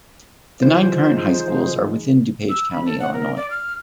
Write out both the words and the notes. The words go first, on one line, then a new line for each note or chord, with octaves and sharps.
The nine current high schools are within DuPage County, Illinois.
C#3 E3 F3 G3 G#3 D#4 F4 C5
E6
B5
A4
F#5
A#4
D5
F6